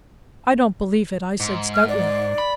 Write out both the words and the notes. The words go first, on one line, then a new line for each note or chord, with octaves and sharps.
"I don't believe it," I said stoutly.
G#2
F6
D5
B5